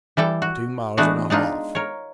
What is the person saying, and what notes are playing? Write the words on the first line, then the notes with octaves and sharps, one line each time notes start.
"Two miles and a half."
E3 G3 A4 G5
F#4
E3 G#3 A3 B3 D4 F#4
G#3 D4 D#4 F4
A#4 C#5